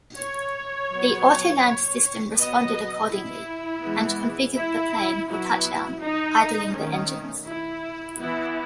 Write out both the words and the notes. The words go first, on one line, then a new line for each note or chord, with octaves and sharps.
The autoland system responded accordingly and configured the plane for touchdown, idling the engines.
C#5
F#3 B3
F#3 B3 D#5
E4
E3 G#3 B3
E4
F#3 B3 E4
D#4
D#3 A3 C#4
E4
E3 B3 E4